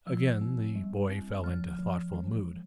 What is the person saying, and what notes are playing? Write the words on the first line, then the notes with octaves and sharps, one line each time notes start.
Again the boy fell into a thoughtful mood.
F3 E6
C4
G3
C4
F3 F6
F3
E3